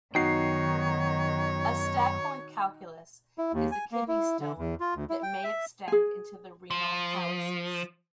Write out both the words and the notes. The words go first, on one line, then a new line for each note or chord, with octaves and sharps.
A "Staghorn calculus" is a kidney stone that may extend into the renal calyces.
F#2 D#3 B3 D#4 F#4 C#5 G5 C7
E4
D#2
G#5
A#3
E4
D3
E2
F4
D2
E4
G5
E5
G#4 G#5
F3